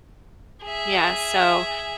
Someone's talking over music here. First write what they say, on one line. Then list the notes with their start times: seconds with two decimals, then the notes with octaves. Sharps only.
yeah, so,
0.64 G#4 E5